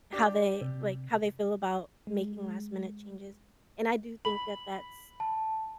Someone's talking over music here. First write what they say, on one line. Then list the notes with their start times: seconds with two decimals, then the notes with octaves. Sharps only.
how they, like, how they feel about making last minute changes, and I do think that that's,
0.13 D4 G4
0.61 C3
2.07 G#3
4.25 B5 F#7
5.20 A5